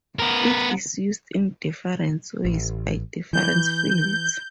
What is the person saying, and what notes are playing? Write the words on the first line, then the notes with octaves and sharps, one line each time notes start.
It is used in different ways by different fields.
B3 A#4
A1
E3 G6